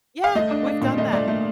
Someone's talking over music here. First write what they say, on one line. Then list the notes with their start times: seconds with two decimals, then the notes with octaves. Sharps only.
Yeah, we've done that.
0.24 F5
0.35 A3 D#5
0.51 D4
0.66 D4
0.82 A#2
0.98 A3 D#5
1.12 A3 D5
1.28 A3